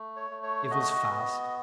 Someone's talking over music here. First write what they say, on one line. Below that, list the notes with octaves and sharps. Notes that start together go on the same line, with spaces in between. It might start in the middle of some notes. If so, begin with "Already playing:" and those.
It was fast.
Already playing: A3
C#5
A3
C#5
F#4 D#5
B3